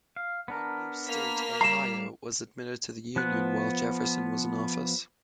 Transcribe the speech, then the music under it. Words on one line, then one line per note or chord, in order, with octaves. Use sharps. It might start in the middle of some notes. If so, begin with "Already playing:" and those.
One new state, Ohio, was admitted to the Union while Jefferson was in office.
F5
B3 D4 A#4
A#3 F6 B6
G3 A#5 C7 E7
F3 B3 F#6